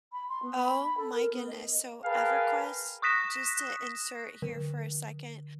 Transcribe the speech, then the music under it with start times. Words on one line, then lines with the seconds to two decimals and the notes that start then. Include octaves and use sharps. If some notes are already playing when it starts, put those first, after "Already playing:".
Oh my goodness. So EverQuest just to insert here for a second,
0.12 B5
0.29 C6
0.42 B3
0.57 B5
0.97 A4
1.12 A#4
1.32 B3
1.47 D#5
2.05 G#4 A#4 B4 F5 G5 A5
3.02 C#6 D#6 F#6 A#6 B6 E7
4.42 D3